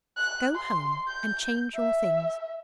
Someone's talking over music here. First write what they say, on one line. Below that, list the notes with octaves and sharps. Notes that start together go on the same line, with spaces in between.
Go home and change your things.
F#6
C6
G6
E5